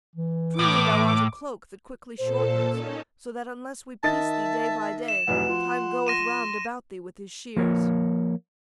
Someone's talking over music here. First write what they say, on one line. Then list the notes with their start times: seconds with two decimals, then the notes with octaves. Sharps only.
Truly thou art a cloak that quickly shortens, So that unless we piece thee day by day Time goeth round about thee with his shears!
0.15 E3
0.59 A2 D6
2.18 A#2 A4 C5 A5
2.71 C#4 D#4
4.03 D#3 D#5 E5 A5 A6
5.08 E7
5.28 F1 B1 E2 F#5
5.49 F3 C6
6.07 C6 A#6 D#7 E7
7.56 F3 A#3 A#4 C#5